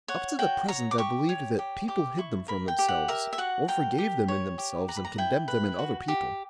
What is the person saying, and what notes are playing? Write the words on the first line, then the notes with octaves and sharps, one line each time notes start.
Up to the present I believed that people hid them from themselves or forgave them in themselves and condemned them in other people.
C#5 F#5
F#4 G5
C#5 A#5
D6
G4 C#6
C#5
G4
G4 D6
E4 C#6
A#4 B5
G5
G4
F#5
A#4 E5
E5
F#4 F#5
A#4 G5
G4
C#5
G4
B4 A#5
B5
A#5
E4 G5
B4
F#4
G4